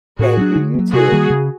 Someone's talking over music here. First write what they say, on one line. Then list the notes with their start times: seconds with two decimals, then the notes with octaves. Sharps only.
Thank you, you too.
0.19 A2 F#4 G#4
0.37 F#3 B3 D4
0.56 D3
0.75 F#3 A#3
0.93 C3 F#4 G#4
1.12 D#3 G3 A#3
1.30 C#3